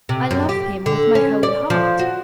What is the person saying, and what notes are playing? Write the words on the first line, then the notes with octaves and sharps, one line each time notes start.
"I love him with my whole heart."
C3
F#2
G4
D3
C#4
D5
F3
F#4